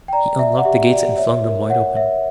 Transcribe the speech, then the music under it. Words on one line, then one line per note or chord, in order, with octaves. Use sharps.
He unlocked the gates and flung them wide open.
G5
D5 A#5
D5 E5
F#5
G4 E5
D5
C#5 E5
A#4
C#5 F#5
C#5 E5